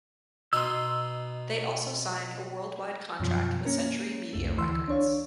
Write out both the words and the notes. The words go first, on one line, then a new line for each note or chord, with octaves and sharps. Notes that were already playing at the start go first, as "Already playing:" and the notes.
They also signed a worldwide contract with Century Media Records.
B2 D#4 B4 C6 E6
F#2 B2 F3
A#3 C#4 A#4
C2 F2 A3
D2 E3 C6 E6
D4 C#5 F5